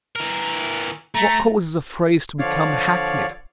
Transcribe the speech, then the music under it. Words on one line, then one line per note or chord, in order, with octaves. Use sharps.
What causes a phrase to become hackneyed?
E3 A#4
A3 A#5
D3 F3 C#5 D5 F5